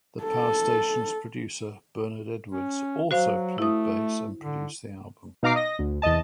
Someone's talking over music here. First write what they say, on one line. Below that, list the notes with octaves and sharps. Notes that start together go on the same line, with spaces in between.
The Power Station's producer Bernard Edwards also played bass and produced the album.
A4
C#4
F#3 F#4 C5 F5
A3 E4 D#6
D3
B2 D#4 F5 A#5 D6 C7
D#5 A#6
D2
E2 C3 D#5 A5